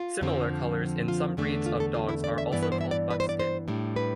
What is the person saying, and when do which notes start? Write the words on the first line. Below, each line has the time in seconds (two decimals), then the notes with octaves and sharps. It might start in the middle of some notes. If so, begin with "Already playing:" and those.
Similar colors in some breeds of dogs are also called buckskin.
Already playing: F4
0.21 F2 D3 F3 C4
1.08 F4
1.37 E2 D3 A3 D4
1.66 F4
1.80 A4
1.94 F4
2.09 E4
2.24 D5
2.38 E5
2.52 G2 E3 B3 D5
2.63 B4
2.72 C5
2.81 E5
2.91 D5
3.11 B4
3.20 C5
3.29 D5
3.40 C5
3.68 A2 G3 D4
3.96 B4